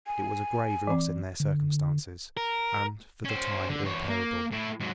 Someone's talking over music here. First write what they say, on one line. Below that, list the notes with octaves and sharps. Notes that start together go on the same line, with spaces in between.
It was a grave loss in their circumstances, and for the time irreparable.
G#5
E3 C4
D3
A#4
C#4 C5
D3
E2 C#5
A#3
A2 E4
G#2 F#3